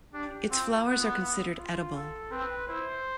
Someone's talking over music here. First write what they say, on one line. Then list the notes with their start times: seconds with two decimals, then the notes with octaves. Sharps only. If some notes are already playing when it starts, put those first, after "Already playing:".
Its flowers are considered edible.
0.13 D4 G4
0.50 C4 F4
0.86 B3 F4
1.22 E4
1.59 F4
1.95 A4
2.31 C4 B4
2.68 E4 C5